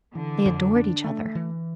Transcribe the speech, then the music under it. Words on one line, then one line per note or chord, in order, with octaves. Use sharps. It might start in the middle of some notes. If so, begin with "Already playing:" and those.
They adored each other.
D3 E3
F2
D4
A3
E3